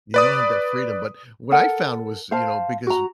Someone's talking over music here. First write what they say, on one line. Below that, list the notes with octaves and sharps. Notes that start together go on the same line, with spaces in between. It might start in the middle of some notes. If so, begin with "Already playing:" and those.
You don't have that freedom, but what I found was, you know, because
B4 D5 D#6
A4 A#4 F#5
C5 F5 A5
F#4 A#5